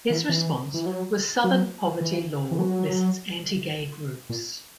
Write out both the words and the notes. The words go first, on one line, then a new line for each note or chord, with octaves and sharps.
His response was Southern Poverty Law lists anti-gay groups.
E3
E3
E3
F#3
F#3
E3
E3
F#3
A#2